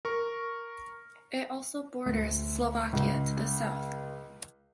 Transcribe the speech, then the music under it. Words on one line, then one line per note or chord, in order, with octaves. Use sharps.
It also borders Slovakia to the south.
A#4 C#6
D2
C#2